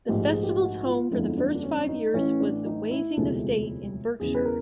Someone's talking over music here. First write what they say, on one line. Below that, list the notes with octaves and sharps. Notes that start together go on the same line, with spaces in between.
The festival's home for the first five years was the Wasing Estate, in Berkshire.
A#1 G#2 F3 A3 G4
G#4
G4
F#4
F4
G1 F2 D3 F3 G#3 E4
D4
D4
C#4
D#4
A1 A2 E3 C#4
D4
D#4
E4
E1 D2 C3 F3 G#3
E1 E2 C#3 E3 G#4
B4
A#4